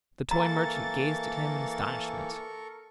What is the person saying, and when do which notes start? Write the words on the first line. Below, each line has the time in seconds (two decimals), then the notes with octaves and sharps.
The toy merchant gazed at him in astonishment.
0.31 E3 A#3 A4 A#4 A#5 C#6 A6